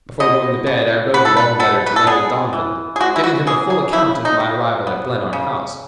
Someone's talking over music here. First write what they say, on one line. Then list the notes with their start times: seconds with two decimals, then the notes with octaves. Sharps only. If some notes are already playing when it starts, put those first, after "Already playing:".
Before going to bed I wrote a long letter to Larry Donovan, giving him a full account of my arrival at Glenarm House.
0.20 B2 D#5
0.67 B2
1.14 B3 B4
1.25 A4
1.37 B4
1.60 B3 A4
1.86 B4
1.96 A4
2.07 B3 G#4
2.53 E3
2.96 G#4
3.00 G#3 F#4
3.16 E4
3.24 F#4
3.47 E3 G#4
3.70 G#4
3.93 C#3 E4
4.25 D#4
4.40 C#3
4.87 B3
5.33 C#3